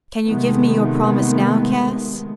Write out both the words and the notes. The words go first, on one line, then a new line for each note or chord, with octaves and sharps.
"Can you give me your promise now, Cass?"
C3 D#3 G#3 A3 B3